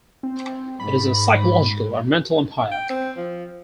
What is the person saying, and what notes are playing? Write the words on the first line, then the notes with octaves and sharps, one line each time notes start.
It is a psychological or mental empire.
C4
G#2 B5
G5
C4
F3